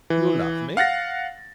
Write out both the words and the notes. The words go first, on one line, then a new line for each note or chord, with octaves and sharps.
"You love me?"
E3
F5 F#5 A6 A#6